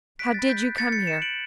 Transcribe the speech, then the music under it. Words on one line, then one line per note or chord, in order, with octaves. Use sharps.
How did you come here?
F#6 B6 D7
B5 A6
G6 B6
F#6
B5 A6 C#7
A6 C#7
F#6
C#7 E7
F#6 D7 F#7